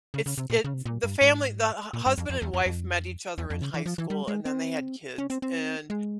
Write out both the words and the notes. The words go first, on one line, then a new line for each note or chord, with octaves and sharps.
it's it's the family the hu husband and wife met each other in high school and then they had kids, and,
C#3
C#3
C3
A#2
C#3
C3
A#2
G2
G#2
A#2
G2
F2
F2
E2
F2
F2
E2
F2
C#3
E3
F3
E3
G3
G#3
C4
C#4
C4
C4
G#3